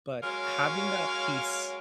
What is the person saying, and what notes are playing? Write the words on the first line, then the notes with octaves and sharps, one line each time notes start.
but having that piece
F#3 G#3 C#4 A#4 C#5 F5